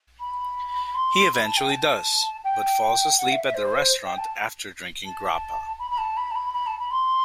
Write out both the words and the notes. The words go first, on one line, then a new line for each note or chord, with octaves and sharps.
He eventually does, but falls asleep at the restaurant after drinking grappa.
B5
B5
C6
B5
A5
G5
A5
G5
F#5
E5
E5
C5
G5
A5
A5
B5
B5
A5
B5
A5
B5
B5
A5
B5
C6